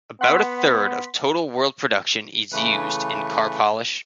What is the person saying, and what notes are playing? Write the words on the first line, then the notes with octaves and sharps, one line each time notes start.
About a third of total world production is used in car polish.
B3 F#5 C6 B6
C#3 E3 A3 B4